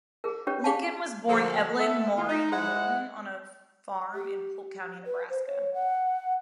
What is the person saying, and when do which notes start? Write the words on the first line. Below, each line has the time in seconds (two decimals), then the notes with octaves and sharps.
Lincoln was born Evelyn Maurine Norton on a farm in Polk County, Nebraska.
0.24 G#4 A#4
0.47 C#4 G4 B4 C#5
0.64 G4 G#4 F5 G#5 A5
1.28 D3 F3 A#3 F4 F#4 A4
1.79 A3 A4 E5
2.17 E3 F4
2.29 D#4
2.52 G#3 E4 C5 F#5
4.14 G4
5.06 B4
5.30 C5
5.46 C#5
5.74 F#5